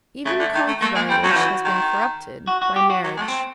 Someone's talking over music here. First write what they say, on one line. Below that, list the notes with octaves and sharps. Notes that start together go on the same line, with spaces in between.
Even concubinage has been corrupted--by marriage.
C#3 A3
D3
D#3
A3
A3 A#3
G#3 A#3
G3 C4
F#3 C#4
F3
E3 F#4
D#3
F#4
F#4
G4
F#4
F#3
G#3
A3
C4